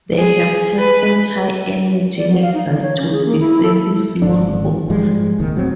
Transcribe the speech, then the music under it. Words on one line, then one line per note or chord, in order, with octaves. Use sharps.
They have tested high energy lasers to disable small boats.
G#4
B4
D5
F#3
F5
D#4
D3
C#5
C#4
G#4
A#3
E4
A4
G#1 G#2 D3 D4
G#2 F3 G3 G#3
D1 C#2 D#3 A#3
A2 F#3 C4